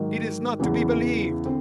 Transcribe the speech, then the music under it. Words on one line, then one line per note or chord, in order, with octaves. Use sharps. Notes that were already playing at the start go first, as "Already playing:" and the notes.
It is not to be believed!
Already playing: G#2 D#3 F#3
E2 C#3 E3
D3 C4